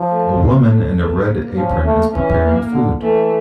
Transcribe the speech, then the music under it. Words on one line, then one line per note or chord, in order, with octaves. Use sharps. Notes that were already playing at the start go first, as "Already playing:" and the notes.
A woman in a red apron is preparing food.
Already playing: F3
A3
A#3
A3
A3
A#3
F3 C#4
A3 A#3
E3 C#4
A#3
D3
E3 A3